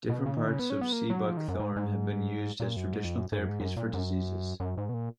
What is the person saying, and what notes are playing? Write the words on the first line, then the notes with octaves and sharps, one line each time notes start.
Different parts of sea buckthorn have been used as traditional therapies for diseases.
B2
C#3
D#3
C#3
B3
C#4
B3
A#3
F#3
F3
D#3
F#2
G#2
G#2
A#2
F#2
G#2
F2
F#2
G#2
F#2
G#2
F#2
A#2
F#2
F#2
G#2
B2
A#2